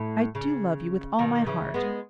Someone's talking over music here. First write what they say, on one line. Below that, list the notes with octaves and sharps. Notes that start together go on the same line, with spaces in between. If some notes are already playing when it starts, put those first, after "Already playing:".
I do love you with all my heart.'
Already playing: A2
C#3
B2 D#3
C#3 E3
G#3 B3